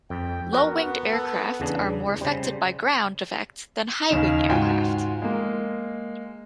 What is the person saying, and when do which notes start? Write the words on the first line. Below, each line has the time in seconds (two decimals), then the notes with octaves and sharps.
Low winged aircraft are more affected by ground effect than high wing aircraft.
0.10 F2 G5
0.53 B3 F#4 A#4
1.13 A4
1.60 E2 C#3 D4
2.21 C#3 G3 C5
4.08 D#2 C#3 D#4 E7 F7
4.49 G#2 F4 F#4 G5 G#5
5.22 G#3 A#3